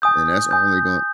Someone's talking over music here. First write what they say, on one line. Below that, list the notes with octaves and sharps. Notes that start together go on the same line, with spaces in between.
And that's only gonn
G#5 D#6 G6
G#5 D#6 G6